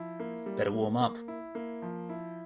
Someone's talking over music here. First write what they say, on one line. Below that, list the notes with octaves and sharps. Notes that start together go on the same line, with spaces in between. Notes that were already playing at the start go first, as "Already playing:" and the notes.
Better warm up.
Already playing: F3 E4
A#3
G3
A#3
A#3
E4
A#3
F3
E4